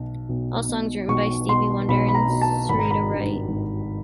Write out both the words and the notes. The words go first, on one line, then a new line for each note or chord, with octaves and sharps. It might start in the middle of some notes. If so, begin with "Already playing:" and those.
All songs written by Stevie Wonder and Syreeta Wright.
Already playing: B1 B2
B1
B2
B1 C#6
B2 C6
B1 B5
B5
A#5
B2
A5
G#1 B5
A#5
B5
G2 D#3
G#1